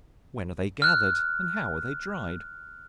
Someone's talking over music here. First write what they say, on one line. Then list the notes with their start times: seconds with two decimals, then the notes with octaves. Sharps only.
When are they gathered, and how are they dried?
0.82 F6 F#6